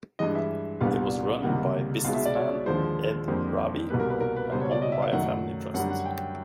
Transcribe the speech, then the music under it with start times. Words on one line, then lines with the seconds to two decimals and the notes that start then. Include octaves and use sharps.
It was run by businessman Ed Raabe and owned by a family trust.
0.19 G2 E3 G#3 D#5
0.35 E5
0.81 C2 A#2 G3 B3 D4 F5
1.42 C#2 C3 D#3 G3 A#3 F#5
2.04 B1 B2 G#3 F5
2.14 E5
2.25 D5
2.35 C#5
2.66 D#2 D3 F3 G#3 C5
3.28 F2 D3 G3 A#3 C5
3.90 C2 B2 G3 A#3 B4
4.00 A#4
4.10 B4
4.21 A#4
4.36 B4
4.52 C#2 B2 G3 C5
4.61 C#5
4.71 D5
4.82 D#5
4.92 E5
5.02 F5
5.12 F#2 D#3 F#3 A3 F#5
5.74 F#2 D3 G3 F#5
5.90 F#5
6.06 G5